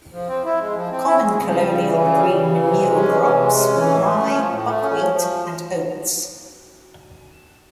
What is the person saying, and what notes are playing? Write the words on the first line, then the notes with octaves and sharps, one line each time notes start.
Common colonial green manure crops were rye, buckwheat and oats.
F3
C4
E4
G#3
F3
C4
E4
G#3
C#3
G3
C#3
E3
C#3
G3
C#3
E3
C3
G#3
C#4
E3
C3
G#3
C#4
E3
A2
A3
C#4
F3
A2
A3
C#4
F3
F3